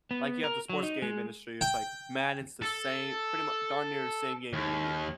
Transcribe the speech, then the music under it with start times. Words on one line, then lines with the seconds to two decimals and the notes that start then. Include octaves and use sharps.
Like, you have the sports game industry, it's, like, Madden's the same pretty much darn near the same game every year.
0.11 B3
0.44 A#4
0.69 F#3
0.83 D#4
1.02 G#3
1.61 G5
2.62 A4
4.53 D#2